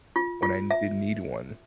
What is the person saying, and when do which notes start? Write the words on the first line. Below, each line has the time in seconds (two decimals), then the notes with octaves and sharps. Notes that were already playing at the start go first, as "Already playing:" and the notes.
when I n did need one.
0.16 F4
0.43 F4
0.71 E5